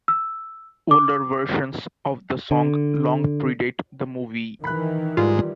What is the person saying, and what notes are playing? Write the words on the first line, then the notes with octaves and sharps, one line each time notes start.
Older versions of the song long predate the movie.
E6
D6
D3
D#3 E3 B5 F#6
G#2 G3 F4